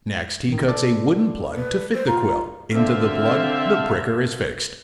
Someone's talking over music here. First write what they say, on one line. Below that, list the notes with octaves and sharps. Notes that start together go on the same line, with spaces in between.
Next, he cuts a wooden plug to fit the quill; into the plug, the pricker is fixed.
A1 D#3
A4 D5
B4
C5
F4 A#5
D3 C4 E5 F5